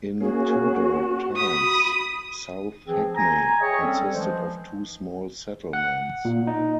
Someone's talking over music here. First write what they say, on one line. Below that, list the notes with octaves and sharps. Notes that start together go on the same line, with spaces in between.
In Tudor times, South Hackney consisted of two small settlements.
A#3 C#4 F#4 G#4
B5 D#6
E3 F3 C4 G#4
G#5 A#5
G#4 C#5 D#5 E5 G5
G3 C4 C#4 A4 D5
E3 F3 G#3 C5
F#5
A#2
D#4